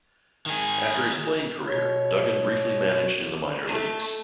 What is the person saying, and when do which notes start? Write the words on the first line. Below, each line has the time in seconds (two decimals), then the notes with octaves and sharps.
After his playing career, Dugan briefly managed in the minor leagues.
0.46 D#3 G#4
1.67 B2 C#5
3.66 A3